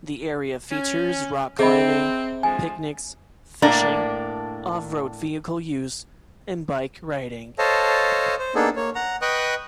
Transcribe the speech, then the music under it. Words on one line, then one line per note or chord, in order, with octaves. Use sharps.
The area features rock climbing, picnics, fishing, off-road vehicle use and bike riding.
C#4
C3 C4 G#4 D#5 B5
D3 F3 G#3 G#5
A2 A#3 D4 A#5
A4 C5 C#5 D#5 F5 A5
C5
A#3 B3 D4 D#4 G#4 A4
A#3 C#5
F#5 A#5
B4 D#5 G5 C#6 D#6 F#6